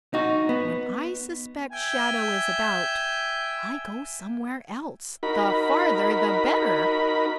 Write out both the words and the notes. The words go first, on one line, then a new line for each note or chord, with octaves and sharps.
When I suspect Shadow is about, I go somewhere else, the farther the better.
D#4 F#4
B3
E5 G5 G#5
D#4 F#4 A#4 B5